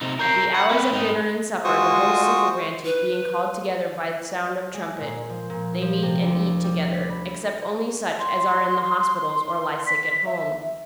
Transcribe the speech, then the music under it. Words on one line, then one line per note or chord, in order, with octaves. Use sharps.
At the hours of dinner and supper the whole Syphogranty being called together by sound of trumpet, they meet and eat together, except only such as are in the hospitals or lie sick at home.
C3 D#4
A#4 C#5 A#5 G6 C7
F#5 B5
C4 B4
G#2 D#4
G#3 F4 F#4 C5 C#6 D#6
B4
G#3
A#2
F3
A#2
F3
C3
D2
G3
B6
B5
C6
B6
E5